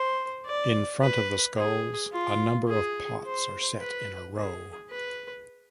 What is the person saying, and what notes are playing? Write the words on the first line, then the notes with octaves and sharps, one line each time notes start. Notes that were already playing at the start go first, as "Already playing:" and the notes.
In front of the skulls, a number of pots are set in a row.
Already playing: C5
D5
B4
G#4
F4
G#4
C5
B4
G#4
B4